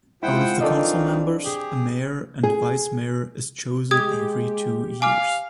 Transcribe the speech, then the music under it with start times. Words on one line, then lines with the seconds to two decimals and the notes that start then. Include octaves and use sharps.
Out of the council members, a mayor and vice-mayor is chosen every two years.
0.23 G#3 C4 E4 F4 C5 F#5 G5
0.61 D#3 E3 C4 D4 D#4 A4 D5 D#5
1.44 G4 G#4
2.43 G#4
3.91 G#3 G4 D#6 G#6
5.02 F5 G#5 D6 F6